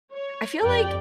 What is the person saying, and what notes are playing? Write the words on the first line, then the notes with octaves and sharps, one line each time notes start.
I feel like
C#5
F2 G4 D5 G5